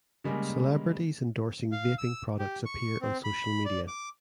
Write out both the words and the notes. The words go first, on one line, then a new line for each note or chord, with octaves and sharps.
Celebrities endorsing vaping products appear on social media.
C#3 G3 G#3 A#3 A#4
F5
E6
G4
C#6
C4
B5
D5
D6